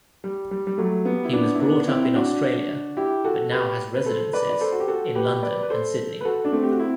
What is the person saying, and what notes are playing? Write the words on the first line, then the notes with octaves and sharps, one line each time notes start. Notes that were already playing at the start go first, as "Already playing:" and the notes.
He was brought up in Australia, but now has residences in London and Sydney.
G3
G3
G3
F#3 A3
G3 B3
E4
B3 D4
E4
B3 D4
D4
C4 E4
D4 F#4
E4 G4
F#4 A4
G4 B4
B4
A4 C5
B4 D5
D5
A4 C5
F#4
G4
F#4 A4
G4 B4
B4 D5
B4
A4 C5
B4
F#4 A4
D4
A3 C4
G4
F#4
C4 E4